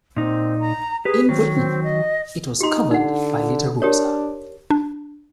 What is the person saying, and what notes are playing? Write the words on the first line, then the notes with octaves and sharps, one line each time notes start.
In Britain, it was covered by Lita Roza.
A#2 C4 D#4
A#5
G4 G#4 B4
D#3 F#3 C4
C4
D#5
D#4 G4 C6
D3 D#4 F#5
D4 G4 A#4 C#5
D4